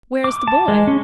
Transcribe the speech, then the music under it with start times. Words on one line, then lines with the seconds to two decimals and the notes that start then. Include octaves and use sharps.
"Where is the boy?"
0.24 D6
0.48 A5
0.68 G#3
0.87 C#4